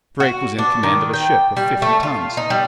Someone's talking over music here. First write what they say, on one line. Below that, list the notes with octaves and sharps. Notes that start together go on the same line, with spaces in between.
Drake was in command of a ship of fifty tons.
F#4
D4
D#3
G5
G3
A3
F4
D#4
G3